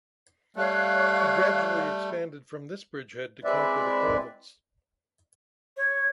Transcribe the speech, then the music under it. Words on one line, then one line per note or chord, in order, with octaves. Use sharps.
He gradually expanded from this bridgehead to conquer the province.
G3 A3 C#5 F5 F#6
G#3 C4 E4 B4 D5 E5
C#5